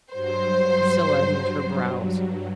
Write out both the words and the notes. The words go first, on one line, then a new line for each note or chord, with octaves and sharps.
Priscilla knit her brows.
G2 F#3 C5